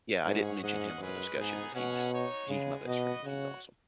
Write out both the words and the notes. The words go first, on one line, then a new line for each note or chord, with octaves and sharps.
Yeah. I didn't mention him in the discussion, but he's he's my best friend. He's awesome.
G#2 C#4 G#4 C#5 F#5
G#2 C#4 G#4 D#5 F#5
F#2 G#3 C#4 G#4 B4
G#2 B3 D#4 G#4
B2 C#4 G#4 C#5 F#5
D#4 F#4 C#5
C#3 G#3 B3 G#4
B2 F#4 B4 D#5 F#5
C#3 F#4 C#5 F#5